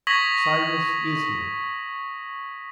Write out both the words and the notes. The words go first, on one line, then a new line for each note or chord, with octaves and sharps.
"Cyrus is here!"
C#6 D#6 G#6 A#6 B6 F#7